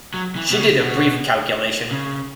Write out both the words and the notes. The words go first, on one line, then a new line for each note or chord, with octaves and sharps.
She did a brief calculation.
F#3
E3
B2
C#3
B2
C#3